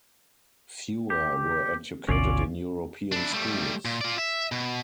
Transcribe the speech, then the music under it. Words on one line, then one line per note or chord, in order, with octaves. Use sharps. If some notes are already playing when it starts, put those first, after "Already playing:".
Fewer were educated in European schools.
G4
G#1 D2 B2 C#4 F4 D5
D4 E4
G3 A3
A#2
F4 D5
E5
B2